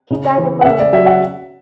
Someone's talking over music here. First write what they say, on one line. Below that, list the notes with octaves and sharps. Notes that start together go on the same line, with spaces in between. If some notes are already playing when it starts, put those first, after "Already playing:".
He died the following day.
C#3
E3
F#5
C#3 E5
D5
F#3 E5
F#5